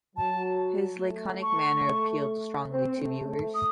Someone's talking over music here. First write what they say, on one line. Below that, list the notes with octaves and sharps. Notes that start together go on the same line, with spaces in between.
His laconic manner appealed strongly to viewers.
F#3 A5
A3
C#6
C4
A3
A3
D#6